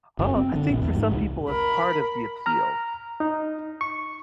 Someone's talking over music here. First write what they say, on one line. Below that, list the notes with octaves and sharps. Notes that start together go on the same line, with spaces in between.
H huh I think for some people it's part of the appeal.
F#1
C4
D3
A#1
E2
G#2
C2
A#4 B5
A#5 F6
D#4
C#6